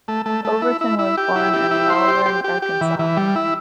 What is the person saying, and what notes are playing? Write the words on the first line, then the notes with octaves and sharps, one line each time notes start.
Overton was born in Malvern, Arkansas.
A3
A3
A3
E4
E4
E4
G4
E4
G4
E4
C5
G4
G4
G4
G4
E3
E3
G3
E4